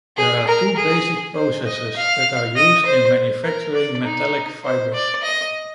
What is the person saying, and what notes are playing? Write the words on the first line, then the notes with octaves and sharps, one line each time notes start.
There are two basic processes that are used in manufacturing metallic fibers.
G#4
A#4
G#4
C5
D#5
F5
D#5
C5
A#4
D5
D#4
C5
D5
D#5